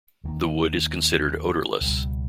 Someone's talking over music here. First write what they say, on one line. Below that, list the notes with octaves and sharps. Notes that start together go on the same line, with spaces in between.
The wood is considered odorless.
D#2 D#3 G3 A#3
C#2 B2 G3